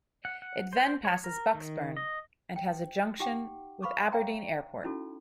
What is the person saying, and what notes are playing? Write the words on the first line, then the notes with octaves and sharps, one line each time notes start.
It then passes Bucksburn, and has a junction with Aberdeen Airport.
F#5
F#5
C5
C#5
A#4
D#3
D#5
G5
D#4 G4 F#5 G5 D6
B4 F5 B5 C#6 D6
C#5 E5 F5 G5 A#5
C#4 D#4 E4 F#4 A4